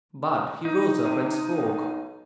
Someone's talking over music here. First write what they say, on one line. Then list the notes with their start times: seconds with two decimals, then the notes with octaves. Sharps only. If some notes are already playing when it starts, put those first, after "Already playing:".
But he rose up and spoke.
0.65 D#4
1.01 C3
1.49 B1